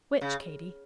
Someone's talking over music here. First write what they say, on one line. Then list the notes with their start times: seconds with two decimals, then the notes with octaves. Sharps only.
"Which, Katy?"
0.21 C#3